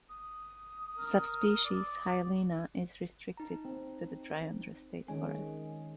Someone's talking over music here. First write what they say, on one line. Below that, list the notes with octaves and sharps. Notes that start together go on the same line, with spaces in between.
Subspecies "hyalina" is restricted to the Dryandra State Forest.
D#6
A#4
D5
D#4 A#5
C4
D#3 G#3 C#4 G#5